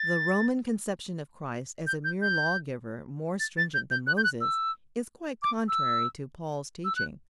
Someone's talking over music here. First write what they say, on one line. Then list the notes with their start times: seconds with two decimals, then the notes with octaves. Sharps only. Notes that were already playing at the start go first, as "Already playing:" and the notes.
The Roman conception of Christ as a mere lawgiver more stringent than Moses, is quite contrary to Paul's teaching.
Already playing: A6
1.87 G6
2.04 G6
2.22 G6
3.40 A6
3.57 A6
3.74 G6
3.91 G6
4.07 F#6
4.17 G6
4.24 F#6
4.41 E6
5.43 D6
5.68 E6
6.85 E6
6.96 F#6